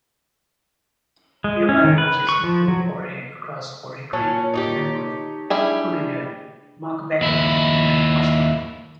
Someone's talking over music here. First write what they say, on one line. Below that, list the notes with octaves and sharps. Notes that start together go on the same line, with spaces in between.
Nearby villages include Oare across Oare Creek to the north, Luddenham, Mockbeggar and Ospringe.
G#3
C#4
D#3
B4
C#6
F3
F#3
A#2 F#3 C#4 C#5 A5
D#4 F#4 G4
G3 D4 E4 G#4
D#2 E4